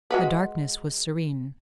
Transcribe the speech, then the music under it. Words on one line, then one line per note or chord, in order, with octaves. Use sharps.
The darkness was serene.
G#3 F#4 B4